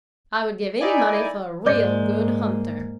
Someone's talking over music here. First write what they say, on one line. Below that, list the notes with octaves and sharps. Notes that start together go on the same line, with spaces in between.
I would give any money for a real good hunter.
D#4 E4 D5 G#5
G#2 G#3 A#3 D5 D6 G6